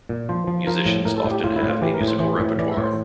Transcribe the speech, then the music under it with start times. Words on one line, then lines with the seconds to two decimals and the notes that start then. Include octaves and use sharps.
Musicians often have a musical repertoire.
0.09 A#2
0.29 F3 C5
0.47 F3
0.67 F3 A#4
0.86 A2
1.05 A2 A#4
1.18 A4
1.25 A2
1.31 G4
1.44 A2 F4
1.56 E4
1.63 A2
1.69 F4
1.82 E3 G4
1.94 A#4
2.01 A2
2.08 C5
2.20 E3 C5
2.39 A2
2.59 E3 D5
2.71 E5
2.77 A2
2.84 C5